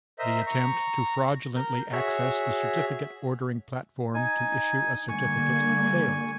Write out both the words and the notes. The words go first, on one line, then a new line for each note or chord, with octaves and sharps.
The attempt to fraudulently access the certificate ordering platform to issue a certificate failed.
A#4 C5 D#5 E5
A#5 C#6
A#4 G6
F#4 G#4 C#5 E5
D#4 G#5
D3 G3 A#3 G#5 C#6